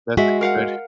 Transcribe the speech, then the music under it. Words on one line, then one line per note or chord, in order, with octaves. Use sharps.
That's good.
G#3 F#4 E5
A#4 F5 F#5